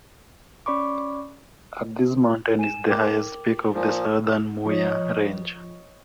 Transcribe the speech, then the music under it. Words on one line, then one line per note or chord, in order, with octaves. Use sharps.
At this mountain is the highest peak of the Southern Muya Range.
C#4 D5 B5 C#6 D6
G#5 D#7 E7
A#4 G5 D6
A#2 F3
F3 C#5 D#5